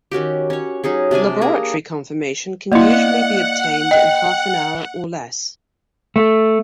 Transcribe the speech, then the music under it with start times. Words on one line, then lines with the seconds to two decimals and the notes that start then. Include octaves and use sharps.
Laboratory confirmation can usually be obtained in half an hour or less.
0.11 D#3 C#4 F#4 G4
0.50 C#4 C#5
0.84 F#3 C#4 D#4 G#4
1.11 C3 D4 D5 G#5
1.41 A#3 G#4 A#5
2.72 A#3 E4 D5 D#5 F5 F#5
3.91 D#5 G5
6.16 A3